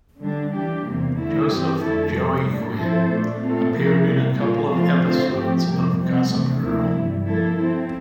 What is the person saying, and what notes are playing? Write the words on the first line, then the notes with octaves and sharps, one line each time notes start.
Joseph "Joey" Quinn and appeared in a couple of episodes of "Gossip Girl".
D3 G3 D4
E3 G3 D4 G4
E2 C3 G3 A#3
D3 A3 E4
G2 E3 G3 C4 G4
F2 D3 A3 E4 A4
C3 G3 A#3
A2 G3 A#3 D4
F3 C4 E4 A4 C5
A#2 A3 D4
A#2 A3 C4 F4 A4
C3 F3 A#3 E4 A#4
C3 G3 A#3
A#2 G3 A#3 F4
A2 F3 A3 C4 F4
D3 A3 C4 F4 C5
A2 F3 A3 C4 G4
F2 C3 G3 A#3
C3 G3 C4
D2 C3 E3 A3
D2 C3 F3 A#3 E4
G2 E3 G3
F3 A#3 E4 A4
F3 C4 E4